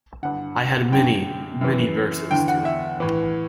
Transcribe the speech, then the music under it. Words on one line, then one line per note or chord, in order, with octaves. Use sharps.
I had many, many verses to it.
G2 D3 F#5
F#2 D3 G5
F#2 E3
E2 D3 G5
F#5
E5
A2 E3